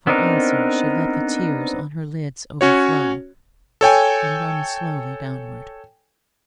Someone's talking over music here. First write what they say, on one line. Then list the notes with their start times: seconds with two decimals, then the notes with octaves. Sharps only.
For answer, she let the tears on her lids overflow and run slowly downward.
0.07 B3 C4 D4 D#4 A#4
2.61 C#4 F#4 C#5
3.81 A4 C#5 G5 G#5